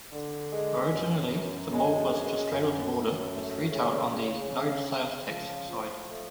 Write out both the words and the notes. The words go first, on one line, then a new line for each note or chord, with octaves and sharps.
Originally, the mall was to straddle the border, with retail on the no-sales-tax side.
D3
G#3
F#2
F#2
G#3
F#2
F#2
F#2
A3
C#3
C#3
C#3
C#3
F3
F3
A3